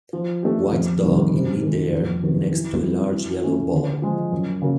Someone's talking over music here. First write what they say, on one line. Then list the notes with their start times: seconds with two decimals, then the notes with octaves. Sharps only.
White dog in midair next to a large yellow ball.
0.13 F3
0.43 A3 D4 G4
0.72 F2
1.03 C3 D#3 G3
1.33 C3
1.62 D#3 G#3
1.92 F2
2.23 C3 D#3 F#3 B3
2.52 E3
2.83 G3 C4
3.12 E3
3.42 A3 C#4 F4
3.72 D3
4.02 F3 G#3
4.32 F#2
4.62 C#3 F#3 A#3